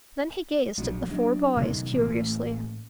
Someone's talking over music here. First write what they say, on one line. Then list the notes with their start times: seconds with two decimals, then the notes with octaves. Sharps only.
Then he gazed at the four boys curiously.
0.77 A#1 F#3
1.08 F#3 D4
1.56 B2 D#3 F#3
1.92 A1 A2 E3 A#3